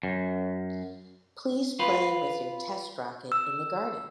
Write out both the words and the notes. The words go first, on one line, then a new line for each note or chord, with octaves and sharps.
Please play with your test rocket in the garden!
F#2
F4 B4
E6